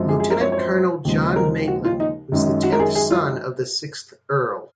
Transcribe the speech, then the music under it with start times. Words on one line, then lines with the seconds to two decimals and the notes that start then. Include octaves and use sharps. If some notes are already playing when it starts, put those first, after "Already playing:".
Lieutenant-Colonel John Maitland was the tenth son of the sixth Earl.
Already playing: F#2 F3 G#3 C4
0.09 G#4
0.20 G#4
0.30 A#4
0.41 C#5
0.52 C#5
0.57 C5
1.05 D#2 C#3 F3 G#3
1.36 A#4
1.68 F#4
1.85 F4
2.00 D#4
2.32 F#2 D#3 G#3 C#4
2.63 F#4
2.72 A#4
2.80 G#4
2.95 G#4
3.11 F4